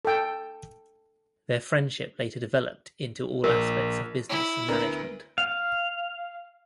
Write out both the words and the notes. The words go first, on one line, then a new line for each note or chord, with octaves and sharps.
Their friendship later developed into all aspects of business and management.
A4 G5
A#1 A#4
E4
D2 B3 A#4
F5